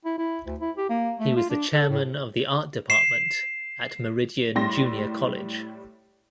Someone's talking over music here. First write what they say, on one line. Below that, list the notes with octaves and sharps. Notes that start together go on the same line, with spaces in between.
He was the chairman of the art department at Meridian Junior College.
E4
E4
D2
E4
G4
A#3
A3
F4
D4
A4
A2
C7 E7
A2 G3 E4 C6 A#6